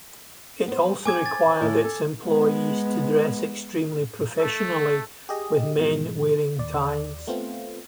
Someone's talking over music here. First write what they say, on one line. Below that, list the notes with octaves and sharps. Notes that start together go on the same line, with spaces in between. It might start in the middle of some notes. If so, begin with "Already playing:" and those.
It also required its employees to dress extremely professionally, with men wearing ties.
B3 C5
C4 G#5 D6 G#6
A6
E2 A2 E4
A4
G#3 B3
A3 A4
G4 G#4 D#5
G#2 B2 E3 G#3
D#2 D5
A3 B3 C4 F4